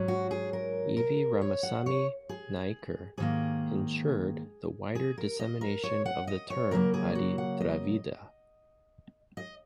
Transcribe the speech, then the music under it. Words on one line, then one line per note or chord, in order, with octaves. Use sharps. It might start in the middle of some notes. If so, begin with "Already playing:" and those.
E. V. Ramasami Naicker ensured the wider dissemination of the term "Adi Dravida".
Already playing: G#2 F#3 C#4
F#4
G#4
A#4
A#4
C#5
F#5
C#5
G#4
G#2 D#3 A#3 G#4
G#4
A#4
D#5
A#4
C#5
F#5
D#5
C#5
C#3 F#3 A#3 A#4
G#4
F#4
F#5
D#5
D#5